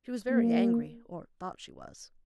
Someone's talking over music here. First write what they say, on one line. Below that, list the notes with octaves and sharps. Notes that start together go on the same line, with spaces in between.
She was very angry, or thought she was.
A#3